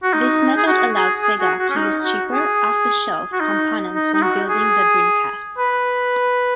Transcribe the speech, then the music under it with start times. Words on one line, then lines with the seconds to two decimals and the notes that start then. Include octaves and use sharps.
This method allowed Sega to use cheaper off-the-shelf components when building the Dreamcast.
0.03 F#4
0.13 D#4
0.57 G#4
0.68 F#4
0.95 G#4
1.22 G#4
1.40 F#4
1.59 F#4
1.70 C#4
1.76 D#4
2.04 F#4
2.31 G#4
3.32 F#4
3.40 D#4
3.95 D#4
4.13 D#4
4.22 F#4
4.49 G#4
5.58 B4